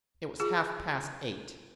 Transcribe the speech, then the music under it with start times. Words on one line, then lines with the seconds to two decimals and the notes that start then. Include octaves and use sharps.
It was half-past eight.
0.40 F4 G#4